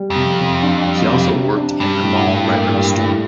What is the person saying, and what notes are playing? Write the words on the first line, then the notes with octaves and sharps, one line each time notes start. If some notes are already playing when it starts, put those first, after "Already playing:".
He also worked in the mall record store.
Already playing: G3
F2
C3
C3
D4
G3
C3
C3
D4
G2 G3
A2
A2
A#3
G3
A2